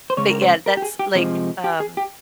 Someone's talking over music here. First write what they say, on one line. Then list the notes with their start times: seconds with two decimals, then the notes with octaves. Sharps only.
But yeah, that's like, um
0.10 C5
0.17 C#3 G#3 C#4 C#5
0.30 A#4
0.42 C5
0.66 A#4
0.77 G4
0.82 G#4
0.99 G4
1.15 C3 F3 G#3
1.64 G4
1.80 G#4
1.97 G4